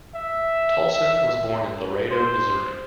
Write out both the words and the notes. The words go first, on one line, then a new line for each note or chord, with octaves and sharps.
Tolson was born in Laredo, Missouri.
E5
C5